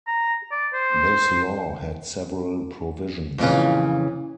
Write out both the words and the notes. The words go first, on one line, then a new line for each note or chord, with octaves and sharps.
This law had several provisions.
A#5
D5
C5
F2 A#2 C#3 E3